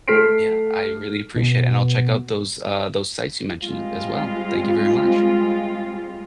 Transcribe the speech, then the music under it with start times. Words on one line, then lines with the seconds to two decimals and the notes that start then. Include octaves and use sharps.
Yeah, I really appreciate it, and I'll check out those, uh those sites you mentioned as well. Thank you very much.
0.08 A3 F6 B6 C7 D7
1.36 B2
3.63 G3 G#3 C4 F4